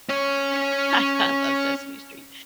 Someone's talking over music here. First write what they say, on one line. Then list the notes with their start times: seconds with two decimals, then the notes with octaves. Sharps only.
I I love Sesame Street.
0.09 C#4 C#5